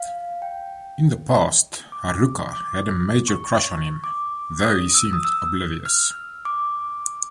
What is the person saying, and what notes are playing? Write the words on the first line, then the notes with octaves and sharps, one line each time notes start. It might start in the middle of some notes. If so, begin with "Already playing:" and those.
In the past, Haruka had a major crush on him, though he seemed oblivious.
Already playing: F5
G5
D6
D6
C#6
C#6
D6
D#6
E6
D#6
E6
F6
D6